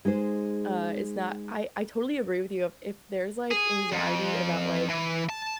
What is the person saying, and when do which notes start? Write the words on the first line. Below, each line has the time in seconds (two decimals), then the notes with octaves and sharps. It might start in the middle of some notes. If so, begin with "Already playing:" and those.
uh, it's not I I totally agree with you, if there's, like, anxiety about, like,
0.05 G#3 D#4 G#4 C5
3.51 G#4
3.92 F2
4.89 E3
5.29 A5